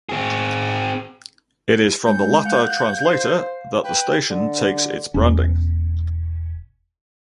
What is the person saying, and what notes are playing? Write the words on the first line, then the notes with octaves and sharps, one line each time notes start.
It is from the latter translator that the station takes its branding.
C4 G#4
G#3 C4 G6
F5 F#5
C5
B4 G5
D3
E1 C#4